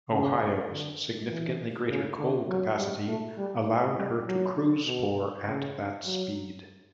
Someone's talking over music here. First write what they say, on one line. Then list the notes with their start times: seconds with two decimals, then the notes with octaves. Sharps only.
"Ohio"s significantly greater coal capacity allowed her to cruise for at that speed.
0.11 C#3
0.71 D3
1.30 E3
1.89 C#3
2.19 D3
2.49 F#3
2.78 G3
3.08 A3
3.38 G3
3.67 A3
3.97 G3
4.27 F#3
4.86 B2
5.45 C#3
6.05 F#3